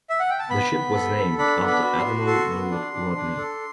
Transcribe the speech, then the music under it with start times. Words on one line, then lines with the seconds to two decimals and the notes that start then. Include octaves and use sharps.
The ship was named after Admiral Lord Rodney.
0.10 E5
0.20 F#5
0.30 G5
0.39 A5
0.50 B3 B5
0.72 B3
0.94 A4
1.17 A4
1.38 D4 B5
1.61 B3
1.67 B5
1.83 F#4
1.98 C6
2.05 F#4
2.26 A4 C6
2.49 B3
2.71 D4
2.94 D4
3.15 D4
3.38 A4